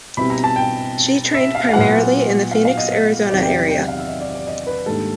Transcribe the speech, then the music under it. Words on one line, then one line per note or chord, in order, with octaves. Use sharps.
She trained primarily in the Phoenix, Arizona area.
B2 G3 C4 E4 B5
A#5
A5
G5
E5
F5
F5
A#2 F#3 B3 E4 F#5
F5
F5
D#5
D#5
E2 C3 D#3 F#3 D5
G5
G5
F#5
F5
E5
D#5
D5
D5
D#5
B4
G#2 D#3 G3 A#3 D4 A4